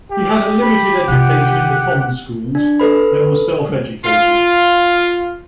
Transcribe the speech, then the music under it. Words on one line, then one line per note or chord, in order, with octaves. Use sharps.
He had a limited education in the common schools, then was self-educated.
G4
B5
C3 F4 F#5
D4
A4 B4 B5
F4